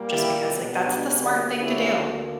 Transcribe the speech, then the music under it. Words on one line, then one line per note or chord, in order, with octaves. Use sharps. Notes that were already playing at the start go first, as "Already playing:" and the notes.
just because, like, that's the smart thing to do,
Already playing: A#2 G3 A#3
E4 G4
C#2 B2 G3 B3
D4 F#4
D2 D3 G3 A#3 D4
C#4 E4
D2 D3 A#3